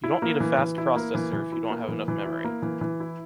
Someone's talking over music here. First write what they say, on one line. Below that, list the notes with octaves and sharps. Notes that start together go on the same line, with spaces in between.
You don’t need a fast processor if you don’t have enough memory.
E4
A#3
E3
E3
E4
A#3
E3
E3
E4
A#3
E3
E3
E4
A#3
E3
E3
E4